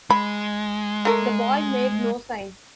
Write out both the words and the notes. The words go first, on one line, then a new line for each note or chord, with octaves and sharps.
The boy made no sign.
G#3 B5
A3 A#4